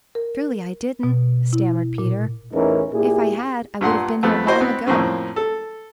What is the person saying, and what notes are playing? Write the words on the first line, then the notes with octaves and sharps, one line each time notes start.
Truly I didn't," stammered Peter. "If I had, I would have been here long ago.
A#4
B2
E4
A#2
A1 E2 E3 C#4 D#4 A#4
A#2 E4 G4 G#4
G2 A#2 F#5 C6
F2 A3 B3 C4
E4 F#4 C5 D#5
B3 C4
F2 A2 A#3 C4 C#4
A4